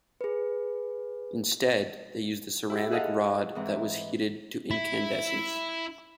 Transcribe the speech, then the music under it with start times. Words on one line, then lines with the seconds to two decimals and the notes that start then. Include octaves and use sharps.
Instead, they used a ceramic rod that was heated to incandescence.
0.21 G#4 B4
2.70 E4 G4
2.91 G#4 A4 D#5 F5 F#5
3.55 G#2 E3 C4 A#5
4.71 E4 E5